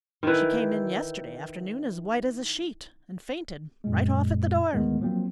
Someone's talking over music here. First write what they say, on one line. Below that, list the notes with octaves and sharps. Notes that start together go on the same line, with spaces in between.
She came in yesterday afternoon as white as a sheet, and fainted right off at the door.
D#3 E3
F#2 A#2 G#3
D2 A2 D#3 G#3 B3
F3 F#3 A#3 C4